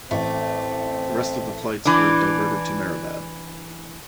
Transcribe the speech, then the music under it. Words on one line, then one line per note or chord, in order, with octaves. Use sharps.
The rest of the flights were diverted to Mehrabad.
A1 A3 C4
E3 D4